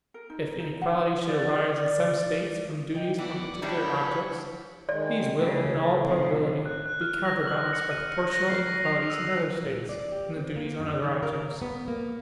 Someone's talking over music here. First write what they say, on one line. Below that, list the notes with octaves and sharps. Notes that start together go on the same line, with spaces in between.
If inequalities should arise in some States from duties on particular objects, these will, in all probability, be counterbalanced by proportional inequalities in other States, from the duties on other objects.
A#4
D#4
D#4
F#5
D5
E3 D#4 G5
E3 B3 D5 F#5 G#5 D6
G3 D4 E4 C#5 F#5 G5 B5
D#3 G#3 D5
A2 C#3
C3 D#3
F#6
F#6
F6
A#6
F#7
C#7
D#7
C#7
A#6
C7
F7
E6
A#2
D5
G4
C4
A#3
F#2
D#3
A#4
B3
A#3